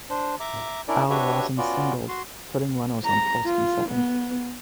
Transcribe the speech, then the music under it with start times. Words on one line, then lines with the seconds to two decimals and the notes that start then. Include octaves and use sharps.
Al Rosen singled, putting runners on first and second.
0.10 D4 C5
0.40 E5 A#5 D6
0.88 C#4 D4 E4 A#4 D5
1.10 D4 F#4 G4 B4 C#5 E5
1.58 B3 C#4 F4 F#4 D5
2.08 F#4 C6
3.04 A#5
3.45 F4
3.89 B3